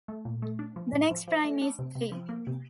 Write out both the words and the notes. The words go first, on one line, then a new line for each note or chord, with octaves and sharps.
The next prime is three.
A3
A#2
A3
D4
F3
A2
F3
F3
A3
D4
C3
C3
F3
A#3
C3